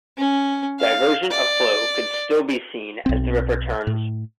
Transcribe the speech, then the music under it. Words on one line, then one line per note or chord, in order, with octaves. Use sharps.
Diversion of flow could still be seen as the river turns.
C#4
F5
D5
B1 C4
A2